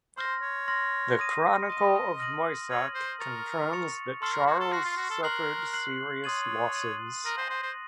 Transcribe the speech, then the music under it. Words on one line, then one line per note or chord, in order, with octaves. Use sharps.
The "Chronicle of Moissac" confirms that Charles suffered serious losses.
C5 C6 F6 A#6
C#5
C6 F6 A#6
C6 D#6 A#6 D#7
D#5 C6 D#6 A#6 D#7
F6 A#6 D#7 F#7
C#5 F6 A#6 D#7 F#7
C5
A#4 C#6 A6 C#7 F7
C#6 A6 C#7 F7
A4 C6 F6 C7
A#4
F#4
A4
F#4 C6 F6 C7
F4
F#4
A4
A#4 F#6 C7 F#7
F#6 C7 F#7
C#5 C6 D#6 A6 D#7 F#7
C6 D#6 A6 D#7 F#7
A#4 D#6 A#6 D#7 F#7
C5
C5
C5